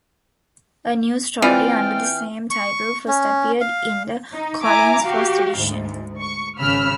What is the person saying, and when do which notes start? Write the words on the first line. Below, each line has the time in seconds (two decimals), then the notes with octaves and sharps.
A new story under the same title first appeared in the Collins first edition.
1.42 E3 C4 F4 D5 G5 F6
2.51 C#6
3.08 C#4
3.61 F5
4.32 D#4
4.62 E4 E5 G#5 A#5 D6
5.04 F#4 G4 F5
5.57 D2 G#2
6.19 C#6
6.59 G#1 C#3 B5 E6 F6